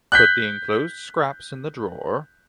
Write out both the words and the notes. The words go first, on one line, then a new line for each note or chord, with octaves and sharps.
Put the enclosed scraps in the drawer.
F#6 G6 B6